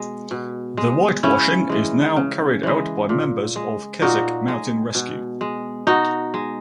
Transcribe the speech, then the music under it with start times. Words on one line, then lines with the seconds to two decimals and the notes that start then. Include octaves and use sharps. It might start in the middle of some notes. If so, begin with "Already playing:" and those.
The whitewashing is now carried out by members of Keswick Mountain Rescue.
Already playing: B2 G#3
0.31 B2
0.77 G#3
1.23 C#3 C#4 E4
1.70 E3 G#3
2.16 C#3
2.63 E3 G#3
3.09 A#2
3.56 G#3
4.02 A#2 D#4 F#4
4.48 G#3
4.95 B2
5.41 G#3
5.87 B2 D#4 F#4
6.34 G#3